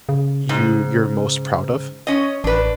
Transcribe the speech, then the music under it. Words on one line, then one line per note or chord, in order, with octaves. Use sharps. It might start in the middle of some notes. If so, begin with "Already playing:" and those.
you you're most proud of?
C#3
G#2
C#4 D#5
A1 D4 B4